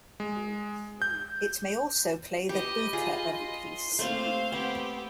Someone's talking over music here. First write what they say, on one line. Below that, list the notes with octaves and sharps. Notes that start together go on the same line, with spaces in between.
It may also play the buka of a piece.
G#3
G6
G4 B4 D#5
F4 G#4
C6
A3 A#3 C4 C5 F5
B3 C4 G4